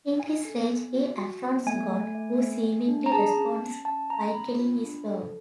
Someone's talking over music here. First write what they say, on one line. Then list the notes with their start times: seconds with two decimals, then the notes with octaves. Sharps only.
In his rage he affronts God who seemingly responds by killing his dog.
0.20 D4 G#5
0.45 A4
0.69 B3
0.93 F#4
1.18 F#4
1.42 B3
1.67 A3 G#5
1.90 A3
2.15 A3
2.40 A3
2.64 A3
2.88 D4
3.06 A#5
3.12 G#4 A5
3.37 C#4
3.61 C#4
3.85 C#4 A5
4.10 C#4 A#5
4.34 C#4 B5
4.59 F4
4.83 D4
5.08 A4